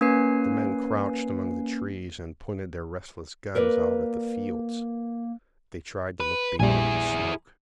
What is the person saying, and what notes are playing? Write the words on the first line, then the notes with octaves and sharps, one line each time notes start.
The men crouched among the trees and pointed their restless guns out at the fields. They tried to look beyond the smoke.
A#3 C#4 B4 G#5 C7
A#3 A#4 B4 D5
B4
A#1 G3 E4 G#4